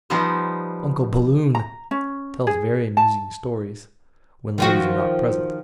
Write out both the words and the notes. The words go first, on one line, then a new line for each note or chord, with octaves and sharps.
Uncle Balloon!--Tells very amusing stories . . . when ladies are not present . . .
F3 G3 B3 D#4 C5
A#5
C#4
G#4
A5
D#3 F3 F#4